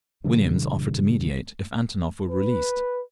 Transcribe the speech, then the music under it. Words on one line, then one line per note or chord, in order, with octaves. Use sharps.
Williams offered to mediate if Antonov were released.
G2 A#2 C#3 E3
B4